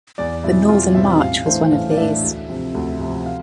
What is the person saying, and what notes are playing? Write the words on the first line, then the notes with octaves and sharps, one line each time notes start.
The Northern March was one of these.
E2 D5
B2 G3 C4 E4
E2 F4
B2 G3 C4 E5
A1 F5
A2 E3 A3 D4 C5
A1 F5
D5
A2 E3 A3 D4 E5
D2
C3 F3 C4
D2
C3 F3 C4
F5